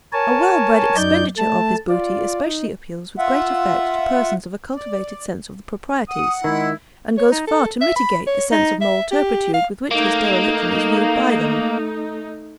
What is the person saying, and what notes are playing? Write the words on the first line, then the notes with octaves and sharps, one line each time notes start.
A well-bred expenditure of his booty especially appeals with great effect to persons of a cultivated sense of the proprieties, and goes far to mitigate the sense of moral turpitude with which his dereliction is viewed by them.
A#4 C#5 G#5 A5
F#2 D#4 D5 G6
A3 A5
F4 D5
D#4
F4 E5 F#5
D5
F#5 D#6
D#3 G#3 E4
C#5
D#4
A4
E5
B5
C#5
D#4
E5
G4
F5
A3 A#3 D#4